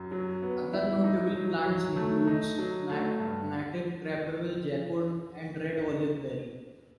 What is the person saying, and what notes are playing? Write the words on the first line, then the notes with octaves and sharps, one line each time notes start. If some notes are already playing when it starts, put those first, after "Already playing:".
Other notable plants include mative crabapple, jackwood and red olive berry.
Already playing: F#2
F#3
B3
E4
D#4
F#3
F#3
A3
D#4
F#3
A3
G2